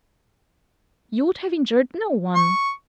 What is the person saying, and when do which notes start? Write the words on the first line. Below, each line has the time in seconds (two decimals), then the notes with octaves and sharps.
You would have injured no one.'
2.35 C#6